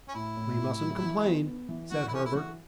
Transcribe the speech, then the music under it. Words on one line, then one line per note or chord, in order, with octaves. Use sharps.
"We mustn't complain," said Herbert.
C#4
A2 E4
A2
A2
F#3
E3
B3
B3
E3
E3 F#4
E4
C#4 A4
E4
E3 F#4